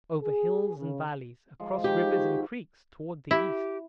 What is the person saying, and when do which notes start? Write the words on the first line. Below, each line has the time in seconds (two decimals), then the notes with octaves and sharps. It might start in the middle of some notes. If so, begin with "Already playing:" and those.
Over hills and valleys, across rivers and creeks, toward the east.
0.23 G#4
0.78 C#3
1.60 F3 G#3
1.84 D#3 F3 G4
2.12 F#4 C5
3.31 E4 G4